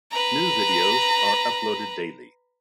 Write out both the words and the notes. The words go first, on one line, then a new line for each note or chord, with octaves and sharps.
New videos are uploaded daily.
B4 A#5